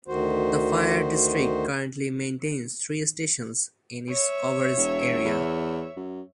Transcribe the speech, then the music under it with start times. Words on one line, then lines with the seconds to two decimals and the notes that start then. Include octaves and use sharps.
The fire district currently maintains three stations in its coverage area.
0.08 D2 D#3 F#4 C5
4.10 C#5 E5
4.77 E1
5.25 E2
5.96 F#2